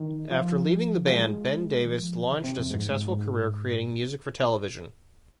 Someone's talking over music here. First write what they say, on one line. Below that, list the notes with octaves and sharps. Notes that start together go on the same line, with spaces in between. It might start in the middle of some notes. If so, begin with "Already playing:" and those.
After leaving the band, Ben Davis launched a successful career creating music for television.
Already playing: D#3
F3
F3
G#3
D#3
F3
C3
D#3
C3
F2
G#2
G#2
G#2